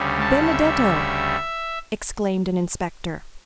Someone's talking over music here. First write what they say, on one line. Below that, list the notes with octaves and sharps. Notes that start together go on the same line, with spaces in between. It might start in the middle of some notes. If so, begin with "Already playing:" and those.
"Benedetto!" exclaimed an inspector.
Already playing: D2 C#3 G3
A5
E5